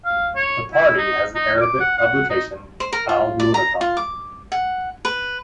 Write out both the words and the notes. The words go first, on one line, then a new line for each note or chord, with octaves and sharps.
The party has an Arabic publication, "Al Mounataf".
F5
C#5
E4
D#4
D#4
D6
F#5
F#5
D#4
C5
A#4
F4
D5
A#5
F4
D6
F#5
B4